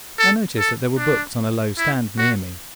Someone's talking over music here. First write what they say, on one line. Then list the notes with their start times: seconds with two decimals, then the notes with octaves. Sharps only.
I noticed that there were books on a low stand near me.
0.19 A4
0.59 A4
0.98 D4
1.78 E4
2.18 F#4